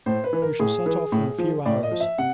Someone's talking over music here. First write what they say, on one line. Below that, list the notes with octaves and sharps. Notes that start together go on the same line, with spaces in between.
"We shall set off in a few hours."
A2 C5
B4
E3
A#4
A2 G#4
E3
A2
F3
A2 D5
D#5
F3
E5
C3 F#5